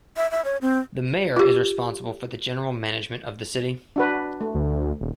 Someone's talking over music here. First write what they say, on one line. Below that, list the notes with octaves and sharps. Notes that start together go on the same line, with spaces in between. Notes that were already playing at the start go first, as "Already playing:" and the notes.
The mayor is responsible for the general management of the city.
E5
E5
C#5
C4
F4 G4
D4 F#4 B4
A3
D2
D#1